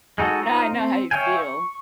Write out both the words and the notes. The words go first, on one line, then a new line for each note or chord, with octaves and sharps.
No, I know how you feel.
G#3 D#4 F#4 A4
D#4 F4 C5 A#5
C4
C#5 E5 F5 G5 G#5
C#6